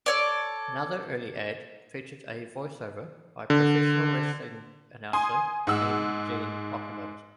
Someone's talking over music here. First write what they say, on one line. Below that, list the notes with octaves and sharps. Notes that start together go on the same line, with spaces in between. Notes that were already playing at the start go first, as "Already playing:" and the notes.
Another early ad featured a voiceover by professional-wrestling announcer "Mean Gene" Okerlund.
A4 C#5 D5
D3
G#5 C6 D#6
G#2 F#5 E6